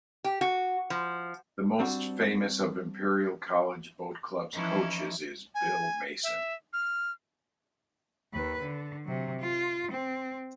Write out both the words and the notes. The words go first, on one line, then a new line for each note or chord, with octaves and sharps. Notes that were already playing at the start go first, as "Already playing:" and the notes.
The most famous of Imperial College Boat Club's coaches is Bill Mason.
G4
F#4
F3
G3 C4 D4 F#4
E3 F3 C#4 D#4 E4
G#5
E5
F6
D#2 B4
D3
C3 F#3
F4
C4